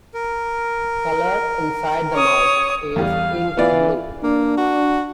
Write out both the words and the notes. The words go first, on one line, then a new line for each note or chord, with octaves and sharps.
Color inside the mouth is ink-blue.
A#4
C#5 D#6
E2 G3 F5
E3 B3 F4 D5
A#3 D4
F#4